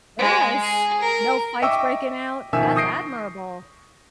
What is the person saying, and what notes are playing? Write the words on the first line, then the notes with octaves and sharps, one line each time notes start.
Yes. No fights breaking out? That's admirable.
G#3
G#4
A#4
D#5 E5 G5 C#6 D6 E6
B2 D#3 F3 E5 G#5 E6
C#6 D#6 G6 A#6 C7 D7